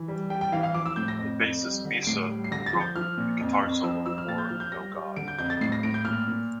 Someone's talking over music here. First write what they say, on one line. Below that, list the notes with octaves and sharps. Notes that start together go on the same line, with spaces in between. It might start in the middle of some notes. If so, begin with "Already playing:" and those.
The bassist Misa wrote the guitar solo for "No God".
Already playing: E3
G3
G3 G5
G5
E3 F5
F5
F3 D6
E6
A2 G6
A#6
F2
F2
G3
D3
D7
A2 C7
G3
C7
D3 A#6
A6
F3
G6
F3 F6
A#2
F2
F2
F3 E6
F3 E6
F6
A#2 A6
G6
F3 F6
G6
G3 A#6
G3
D3 D7
G6
F2 G6
A6
A2 C7
A#6
A2 D7
G6
A#2 F6
A#2